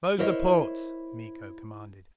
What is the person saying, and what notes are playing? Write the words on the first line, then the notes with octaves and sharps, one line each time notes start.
"Close the ports!" Miko commanded.
E4 A#4 C5 C#5 D#5 E5